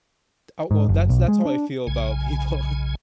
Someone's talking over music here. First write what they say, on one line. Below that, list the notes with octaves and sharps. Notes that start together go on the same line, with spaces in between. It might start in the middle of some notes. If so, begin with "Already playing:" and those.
Oh, well, that's that's how I feel about people
G#2
F#1
B1
G#3
D4
B1 C#3 G#5